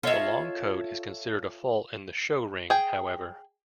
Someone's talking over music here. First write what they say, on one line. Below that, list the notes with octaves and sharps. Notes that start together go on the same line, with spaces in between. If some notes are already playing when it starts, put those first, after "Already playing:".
The long coat is considered a fault in the show ring, however.
F4 A4 C#5 D#5 E5
G#4 G5